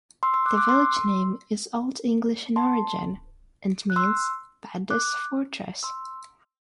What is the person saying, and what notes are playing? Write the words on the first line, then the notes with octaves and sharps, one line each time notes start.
The village name is Old English in origin, and means 'Padda's fortress'.
C6 E6
C6 E6
D6 F#6
D6 F#6
C6 E6
A5 C6
F#6
C6 E6
D6 F#6
C6 E6